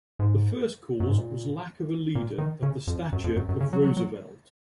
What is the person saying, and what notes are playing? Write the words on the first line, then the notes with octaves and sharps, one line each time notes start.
The first cause was lack of a leader of the stature of Roosevelt.
G#2
F#2
G#2
A#2
A#2
D#3
C#3
F2
F#2
F2
F#2
F#2
C#3
F#3
F#3
F#3